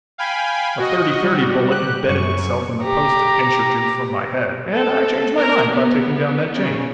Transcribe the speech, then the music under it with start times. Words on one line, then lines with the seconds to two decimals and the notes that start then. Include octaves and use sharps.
A thirty-thirty bullet embedded itself in the post an inch or two from my head, and I changed my mind about taking down that chain.
0.18 F5 G5 G#5 B5
0.79 F#4 D#5
1.22 G3 F#4
1.71 G4 F#6
2.08 F#2 C#6
2.84 G4 A#5
4.72 A4
5.36 A#4
5.72 B3
6.54 C#3